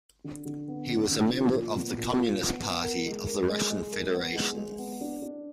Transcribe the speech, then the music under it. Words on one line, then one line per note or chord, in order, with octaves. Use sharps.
He was a member of the Communist Party of the Russian Federation.
D3
D3
B3
D3
D3
F3
A#2
B3
A#2
F4
B3
B3
A#4
G#3
A#4
G#3
G#3
A#4
B3
G#3
G#3
B3
D4
D4